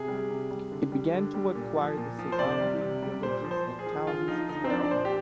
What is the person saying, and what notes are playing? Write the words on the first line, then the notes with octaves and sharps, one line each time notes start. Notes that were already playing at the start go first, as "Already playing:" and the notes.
It began to acquire the surrounding villages and towns as well.
Already playing: C3 G#4
G3
C3
G3
D3
G3
D3
G3
A#2
F3
A#2
F3
C5
C3 D5
G3
C3
G3
A#2 C5
F3
C5
A#2
G#4
F3
D3 F4
F3 D#4
D3 D#4
C4
F3 D4
D5
A#2 C5
G4